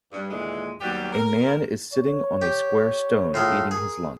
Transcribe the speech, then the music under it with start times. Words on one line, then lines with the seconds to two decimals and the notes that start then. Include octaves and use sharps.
A man is sitting on a square stone eating his lunch.
0.12 G2
0.30 D#2 A#2 D3 E3 G#3
0.81 D#2 F#3 G3 B3 F#4 G4
1.13 A#4
1.93 C#5
2.42 G4
3.34 A2 F4 G#4 A4
3.71 G#4 A#4